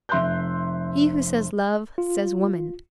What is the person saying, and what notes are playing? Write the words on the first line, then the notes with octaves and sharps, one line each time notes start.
He who says love, says woman.
F1 E5 C6 F#6 G6
F4